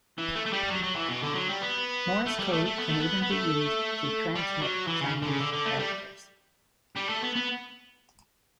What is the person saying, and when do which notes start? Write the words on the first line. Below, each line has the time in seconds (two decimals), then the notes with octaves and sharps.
Morse code can even be used to transmit Chinese characters.
0.18 E3
0.35 A3
0.46 A3
0.53 G3
0.70 F#3
0.83 F#3
0.96 E3
1.09 B2
1.22 D3
1.35 F#3
1.48 G3
1.61 B3
2.26 A3
2.39 G3
2.53 A3
2.66 A3
2.78 B3
2.89 A3
3.00 B3
3.22 B3
3.31 A3
4.35 G3
4.62 F#3
4.87 E3
5.01 C#3
5.22 D3
5.27 C#3
5.40 D3
5.53 D3
5.66 A3
5.79 G3
6.96 G3
7.09 A3
7.23 B3
7.35 B3